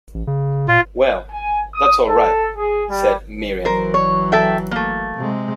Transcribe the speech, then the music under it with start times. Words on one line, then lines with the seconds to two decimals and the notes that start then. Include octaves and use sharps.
"Well, that's all right," said Merriam.
0.14 A1
0.27 C#3
0.68 A#2 F4
1.30 G#5
1.73 D#6
2.07 A4
2.56 G#4
2.87 G3
3.65 E3 F#3 A#4 C5
3.94 C#5
4.32 A4 E5 G5
4.71 A3 A#3
5.16 C3 G#3